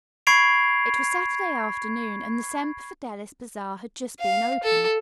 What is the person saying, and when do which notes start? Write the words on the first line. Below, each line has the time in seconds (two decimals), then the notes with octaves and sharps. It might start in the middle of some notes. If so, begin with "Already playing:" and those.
It was Saturday afternoon, and the Semper Fidelis bazaar had just been opened.
0.27 B5 C#6 G#6 C7 D7 F7
4.20 F5
4.64 A4